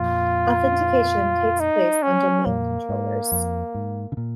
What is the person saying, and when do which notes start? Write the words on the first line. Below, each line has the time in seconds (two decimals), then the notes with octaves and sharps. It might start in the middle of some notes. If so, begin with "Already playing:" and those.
Authentication takes place on domain controllers.
Already playing: F2 A#2 F4
1.60 D#4
2.03 C#4
2.46 F2 A#2 A#3
2.89 G#2
3.32 F2
3.74 G#2
4.12 C#3
4.17 A#2